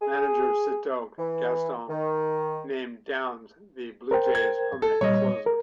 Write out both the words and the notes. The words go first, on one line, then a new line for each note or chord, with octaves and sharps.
Manager Cito Gaston named Downs the Blue Jays' permanent closer.
G#4
E3
D#3
A#4 C5 G5
G#6
A4
A#2 G3 C#5 D#5
A#4